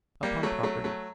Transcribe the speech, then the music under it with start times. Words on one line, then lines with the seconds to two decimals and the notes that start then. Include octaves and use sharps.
Upon property.
0.23 G3 A#3
0.43 F#3 A3
0.63 F#3 A3
0.84 F#3 A3